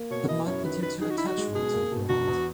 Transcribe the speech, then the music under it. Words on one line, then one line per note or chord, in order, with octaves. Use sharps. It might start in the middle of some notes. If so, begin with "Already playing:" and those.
It might be due to attachment to the brand.
Already playing: A#3
B2 C#5
E4 D#5
F#2 C#5
D#3 B4
D#3 B4
D#4 G#4
F#4
D#4 E4
F#4
G#3
B2 G#4
A#3
B2
E1 F#4
E2